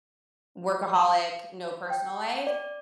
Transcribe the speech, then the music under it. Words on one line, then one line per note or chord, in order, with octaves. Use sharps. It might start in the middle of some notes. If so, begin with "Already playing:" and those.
workaholic, no personal life?"
G5
D5